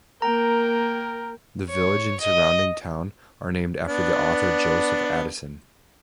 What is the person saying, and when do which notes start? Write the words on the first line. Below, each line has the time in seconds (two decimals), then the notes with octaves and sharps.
The village and the surrounding town are named after the author Joseph Addison.
0.22 A#3 A#4 G5 A#5
1.70 C#5
2.20 D#5
3.88 B3 D4